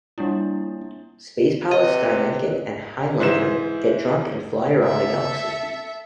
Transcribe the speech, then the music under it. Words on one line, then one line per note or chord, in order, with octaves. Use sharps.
Space pilots Steineken and Heinlager get drunk and fly around the galaxy.
G3 A#3 D4 E4
C3 B4 D#5
G#2 E3 C5 E5 E7
A4 E5